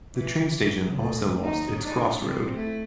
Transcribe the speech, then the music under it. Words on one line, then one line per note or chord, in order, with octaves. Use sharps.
The train station also lost its crossroad.
E3
D2
D#2 D#4
D4 D#4
G3 C4
A3 E4